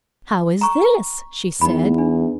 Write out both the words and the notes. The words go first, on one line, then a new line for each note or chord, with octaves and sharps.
"How is this?" she said.
A#5 C#6
E2 D#4 B5
D4